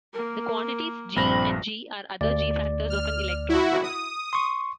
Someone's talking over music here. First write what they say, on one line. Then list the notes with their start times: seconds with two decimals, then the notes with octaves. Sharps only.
The quantities "g" and "g" are other "g"-factors of an electron.
0.13 A#3 A#4
1.16 A#1 G2 C4 B5 A#6
2.21 D2 D5
2.90 F6
3.49 E4 F#4
3.83 D#6
4.33 C6 C#6